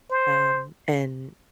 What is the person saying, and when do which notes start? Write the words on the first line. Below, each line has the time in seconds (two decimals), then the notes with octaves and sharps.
um, and
0.11 C5